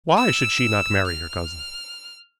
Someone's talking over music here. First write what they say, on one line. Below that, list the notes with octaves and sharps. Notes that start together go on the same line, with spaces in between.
Why should she not marry her cousin?
E6
F6